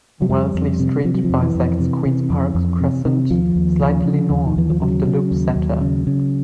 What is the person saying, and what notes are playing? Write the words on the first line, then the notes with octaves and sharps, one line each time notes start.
Wellesley Street bisects Queen's Park Crescent slightly north of the loop's centre.
F#3
F2 G3
F2
C3
C3 F3
F#3
F3
F2
E3
F2
C3
C3
F2
F2
C3
C3
D#2 F3
D#2
C#3
C#3
D#2
D#3
D#2 E3
F3
C#3 F#3
C#3
D#2
D#2
C#3
C#3